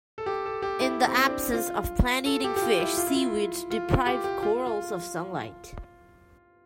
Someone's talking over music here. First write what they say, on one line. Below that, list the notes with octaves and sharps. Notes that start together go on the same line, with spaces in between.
In the absence of plant-eating fish, seaweeds deprive corals of sunlight.
A4
G4
A4
G4
E4
C4
C4
D4
F4
A4
G4
G4
F4
E4
F4
E4
F4
F4
F4
G4
G4
F4
F4